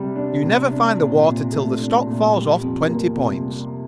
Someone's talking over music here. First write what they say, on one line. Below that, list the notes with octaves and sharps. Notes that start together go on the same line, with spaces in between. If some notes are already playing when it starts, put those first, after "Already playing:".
"You never find the water till the stock falls off twenty points."
Already playing: C3 G3
D4
C3
D4
A#2
A#2
A3
D4
A#2
G3
F2
A#3
C3
G3